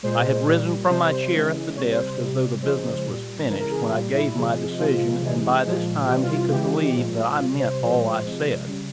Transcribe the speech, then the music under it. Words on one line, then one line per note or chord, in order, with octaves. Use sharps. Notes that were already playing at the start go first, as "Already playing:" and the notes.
I had risen from my chair at the desk, as though the business was finished, when I gave my decision; and by this time he could believe that I meant all I said.
A#2 G#3 C5
A#2 G3
C3 G3 C5
C#3 E3 G#3
C3 G3 C#5
C5
C3 G3
C#3 F3 G#3 C5
A#2 G3
C#3 E3 G#3 A#4
A#4
G#4
A#2 G3 F4
E4
C3 F3 G#3
C3 F3 G#3 F4
C3 E3 G#3
A#2 F3 G#3
C3 E3 G3 G4
F4
F4
C#3 E3 G#3 G4
A#2 F3 G#3
C3 G3 F4
C5
A#2 F3 G#3 C5
C3 F3 G#3
C#3 G3